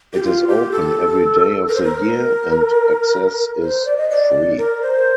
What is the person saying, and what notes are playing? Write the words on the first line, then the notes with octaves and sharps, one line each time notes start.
It is open every day of the year and access is free.
G4
F4
G4
A4
A#4
C5
A#4
C5
D5
D#5
D5
A#4
C5